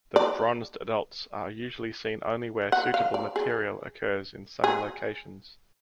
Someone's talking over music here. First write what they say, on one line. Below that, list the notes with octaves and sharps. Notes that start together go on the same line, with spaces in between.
The bronzed adults are usually seen only where suitable material occurs in sunny locations.
D5
F#5
F5
D5
G#4
G#4